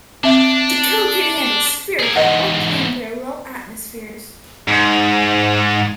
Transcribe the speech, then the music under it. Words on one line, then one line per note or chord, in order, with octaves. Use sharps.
The code can handle spherical or plane-parallel atmospheres.
C4 D4 E5
G#4 A#4
E2 G#2 D#5 F#5
G#2